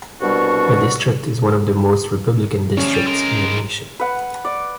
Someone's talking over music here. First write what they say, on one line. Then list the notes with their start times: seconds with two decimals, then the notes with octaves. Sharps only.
The district is one of the most Republican districts in the nation.
0.21 C2 B2 G3 D4 F#4 C#6
2.77 D2 F3 C#4
2.93 G3
3.06 G#3 A#4
4.00 B4 F#5
4.45 D5